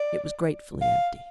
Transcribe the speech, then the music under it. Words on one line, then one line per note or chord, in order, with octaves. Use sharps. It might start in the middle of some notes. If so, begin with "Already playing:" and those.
It was gratefully empty.
Already playing: D5
F5